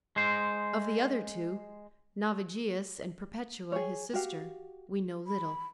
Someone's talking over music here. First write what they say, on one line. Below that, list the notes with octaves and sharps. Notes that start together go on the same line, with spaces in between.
Of the other two, Navigius and Perpetua his sister, we know little.
G#3 C5
G#4 C#5
F#4 G4 F5
B5